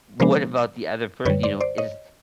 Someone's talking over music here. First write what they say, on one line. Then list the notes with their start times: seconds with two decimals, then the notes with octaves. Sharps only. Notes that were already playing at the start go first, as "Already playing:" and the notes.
what about the other per you know, is
0.20 C3 F3 G#3 B3 D4 A#4 C5
1.25 F#2 D3 G3 B4 C#5
1.43 C5 D5
1.60 C5 D5
1.78 C#5 D#5